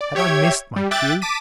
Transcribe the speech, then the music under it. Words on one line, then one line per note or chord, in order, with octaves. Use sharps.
Had I missed my cue?
D5
G4 C#5 E5 G5 G#6
G3
E5 G5 D6 F#6 A6
A5 D6 B6 D#7